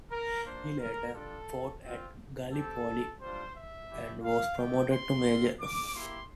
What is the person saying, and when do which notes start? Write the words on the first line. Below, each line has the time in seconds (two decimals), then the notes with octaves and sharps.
He later fought at Gallipoli, and was promoted to major.
0.10 A#4
0.44 A#3 D4 F4 C5
0.78 A#4
1.13 G3 D4 F4 A4
1.82 C4 F4
2.51 C4 G4 A4
3.20 G3 D4 F4 C5
3.54 E5
3.89 A3 E4 G4
4.22 F5
4.57 A3 E4 G4 G5
4.91 C6
5.26 C4 F4
5.60 D6
5.94 A#3 E4 G4 C6